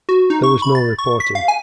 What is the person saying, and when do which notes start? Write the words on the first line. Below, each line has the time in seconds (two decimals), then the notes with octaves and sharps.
There was no reporting.
0.09 F#4
0.30 D#4
0.43 C#6
0.62 B5
0.75 A6
0.99 C#6
1.20 B6
1.35 F5
1.48 G#5